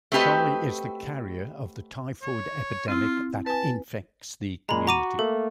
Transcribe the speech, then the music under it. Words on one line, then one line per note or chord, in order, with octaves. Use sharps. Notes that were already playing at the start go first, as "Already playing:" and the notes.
Charlie is the carrier of the typhoid epidemic that infects the community.
A3 C4 F#4 G4 B4 D#5
C#5
C4 E4 F4
B4 G#5 A5
A#2 G#3 A#5 B5
F#4 A#5 D6 D#7
A3 A#3 A4